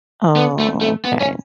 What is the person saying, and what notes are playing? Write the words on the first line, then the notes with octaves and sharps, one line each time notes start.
Oh, okay.
B3
A3
A3
B3
C#4